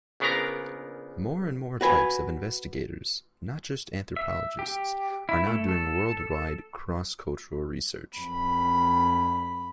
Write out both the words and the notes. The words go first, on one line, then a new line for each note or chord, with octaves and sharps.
More and more types of investigators-not just anthropologists-are now doing worldwide cross-cultural research.
A#1 C#3 B3 D4 A#4 A#5
F#4 B4 G#5
E5
G4
E4
A3
A4
F2 B5